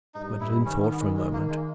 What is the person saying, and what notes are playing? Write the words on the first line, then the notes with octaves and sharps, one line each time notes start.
Gwendolen thought for a moment.
G2 D#4
E4
D#3 C#4
B3
G#3
G#3
A#3
G#3